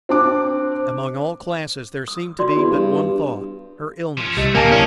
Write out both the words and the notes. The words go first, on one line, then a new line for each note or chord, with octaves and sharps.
Among all classes there seemed to be but one thought--her illness.
C4 D4 D6
D#6
F#4 D5 C6
E2
G2
F3 C#4
C2 A3 G4 D#5
D1 C#3 A#3 A#4 G#5 A5
C#4 E4 A#4 D5